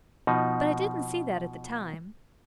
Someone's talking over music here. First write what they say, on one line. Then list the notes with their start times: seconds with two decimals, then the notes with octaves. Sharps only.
But I didn't see that at the time.
0.27 B2 F3 D#4